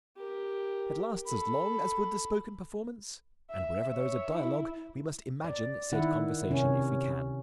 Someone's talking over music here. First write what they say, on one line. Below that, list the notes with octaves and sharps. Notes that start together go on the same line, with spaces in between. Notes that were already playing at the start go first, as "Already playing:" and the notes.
It lasts as long as would the spoken performance, and wherever there is a dialogue we must imagine said conversation if we can.
G4 A#4
A4 B5
E5
C#5 E5
E4
D5
D#3 E4 F#5
C3 C#4